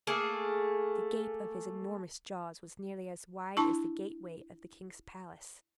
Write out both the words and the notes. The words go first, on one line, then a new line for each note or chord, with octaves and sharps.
The gape of his enormous jaws was nearly as wide as the gateway of the king's palace.
A3 A#3 G#4
D4 E4 A5 C#6